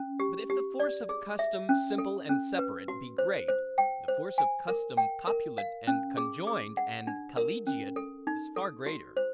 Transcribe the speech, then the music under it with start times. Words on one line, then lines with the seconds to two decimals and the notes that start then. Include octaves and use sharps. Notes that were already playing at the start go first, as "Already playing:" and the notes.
But if the force of custom simple and separate, be great, the force of custom copulate and conjoined and collegiate, is far greater.
Already playing: C#4
0.20 G4
0.50 G4
0.80 D5
1.09 G#4
1.39 E5
1.69 C#4
1.98 A4
2.29 C#4
2.58 B4
2.88 F#4
3.18 C5
3.48 C5
3.78 G5
4.08 C5
4.38 G#5
4.68 A#4
4.97 G5
5.27 A#4
5.58 F5
5.87 C#4
6.17 G#4
6.47 G#4
6.77 F#5
7.07 D4
7.37 A#4
7.67 C#4
7.96 A4
8.27 D#4
8.56 A4
8.86 F#4
9.17 C5